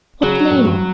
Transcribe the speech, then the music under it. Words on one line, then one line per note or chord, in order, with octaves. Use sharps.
"What name?"
C#3 F#3
A2
G2